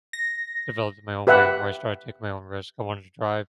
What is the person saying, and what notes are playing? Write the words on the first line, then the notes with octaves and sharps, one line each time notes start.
developed in my own way where I started to take my own risk, I wanted to drive.
A#6
G4 B4 E5 F#5